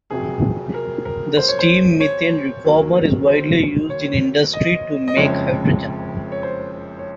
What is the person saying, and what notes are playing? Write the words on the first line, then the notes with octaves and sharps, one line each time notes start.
The steam methane reformer is widely used in industry to make hydrogen.
F1 F2 C3 F#3 G#4
A#4
A#4
C5
C#5
C5
C#5
D#2 D#3 F#3 A#3
C5
C#5
D#5
D#5
F#1 F2 C#3 F3 G#3 C#5
C#5
C5
C#5